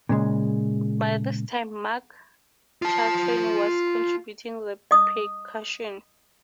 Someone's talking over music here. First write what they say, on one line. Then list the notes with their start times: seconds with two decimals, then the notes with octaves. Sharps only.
By this time Marc Chartrain was contributing the percussion.
0.09 A#2 C#3 G#3
2.82 F4 A5
4.91 D#5 D#6